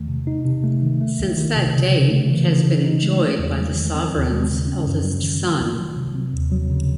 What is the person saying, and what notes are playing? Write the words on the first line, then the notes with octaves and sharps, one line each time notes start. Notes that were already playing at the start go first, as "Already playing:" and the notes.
Since that date it has been enjoyed by the Sovereign's eldest son.
Already playing: E2 D#3 A3
C3
D#4
C3
A3
D#3
A3
C2
D#3
C3
C#3
C#3
A3
E3
C#3
C#3
D#4
G#3
A3
E2
F#3
D#3
C4
D#2
G#3
C#3
C#4
F#2
F#3
D#3
A3
C2
F#3
C3
C4
D#2
F#3
C#3